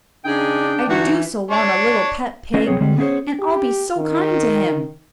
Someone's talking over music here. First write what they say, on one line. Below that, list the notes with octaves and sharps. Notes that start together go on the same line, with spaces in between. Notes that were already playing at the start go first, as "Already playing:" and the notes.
"I do so want a little pet pig, and I'll be so kind to him!"
C#3 D4 D#4 G#4 G5
G2 D3 E3 D#4 F#4
D4 C#5
A3 C#4 D4 F4 B4 D#5
C2 F#3 B3 C4 G#4 C#5
D3 G3 G#3 C4
B3 C#4 E4 G#4 C5 C#5
G4
D#3